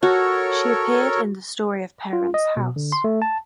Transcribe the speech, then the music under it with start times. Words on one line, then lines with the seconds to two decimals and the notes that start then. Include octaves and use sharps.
She appeared in "The Story of Parents House".
0.03 F#4 A4 A#4 C#5
2.13 F4
2.34 D#5
2.57 B2
2.76 D3
2.92 C6
3.04 A3
3.22 A5